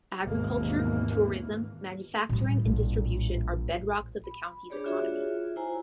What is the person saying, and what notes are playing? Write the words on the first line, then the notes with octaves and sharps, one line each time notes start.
Agriculture, tourism, manufacturing, and distribution are bedrocks of the county's economy.
G#1 D#2 G#2 B2 E3 A#3
A2 G3
A#1
B5
D4 G4 G#4 C#5 D5
F4 F#4 G#4 C#5 E5
E4 F4 C5 G#5 A#5